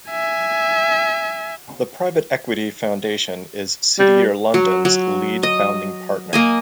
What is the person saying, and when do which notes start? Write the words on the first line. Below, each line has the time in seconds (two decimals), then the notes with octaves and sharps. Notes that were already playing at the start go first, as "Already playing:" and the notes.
The Private Equity Foundation is City Year London's Lead Founding Partner.
0.11 E5 G#5
3.99 G3
4.54 F#3
4.85 F#3
5.43 D#5
6.33 A#3 D#5 G#5